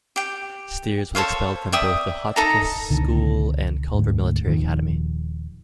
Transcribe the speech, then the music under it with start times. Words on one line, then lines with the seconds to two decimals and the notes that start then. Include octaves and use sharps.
Steers was expelled from both the Hotchkiss School and Culver Military Academy.
0.16 G4 G5
1.15 A4 C5 C#5 F5
1.72 D5 E5 G5 D#6
2.36 D#4 A4 A#5
2.90 C#2 B2 D3 D#3
3.94 D2 G#2
4.46 D#1 D#3 F3